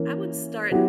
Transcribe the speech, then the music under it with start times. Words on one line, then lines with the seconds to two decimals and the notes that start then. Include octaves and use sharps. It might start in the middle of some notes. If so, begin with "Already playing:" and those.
I would start
Already playing: E3 A#3 C#4
0.71 F#3 B3 E4 G4